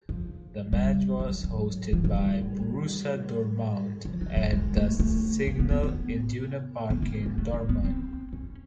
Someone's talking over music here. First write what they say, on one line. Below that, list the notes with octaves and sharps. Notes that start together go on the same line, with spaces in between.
The match was hosted by Borussia Dortmund at the Signal Iduna Park in Dortmund.
F3
G3
F#3
F#3
F3
F#3
G3
F3
F#3
F#3
G#3
A3
A3
A#3
B3
B3
B3
B3
A#3
A#3
A3
A#3
B3
C4
C#4